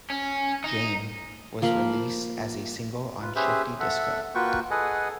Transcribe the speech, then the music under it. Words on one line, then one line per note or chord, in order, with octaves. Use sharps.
"Jane" was released as a single on Shifty Disco.
C#4
D#4
F3 A#3 F5 B5
F4 B4
C#4 G4 G#4 B4 C5 E5
A4 E5 F#5
A#3 F4 F#4 B4 G5 C#6
G#4 A4 B4 D#5 F#5 G#5